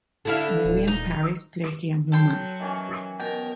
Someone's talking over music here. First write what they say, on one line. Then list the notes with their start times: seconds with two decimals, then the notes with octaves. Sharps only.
Mariam Parris plays the young woman.
0.25 D3 E4 F5
0.65 D#1
0.88 D#4
2.12 F#3 A4 G5 C6
2.60 D#3 E3 C#4
3.20 B2 A#4 G5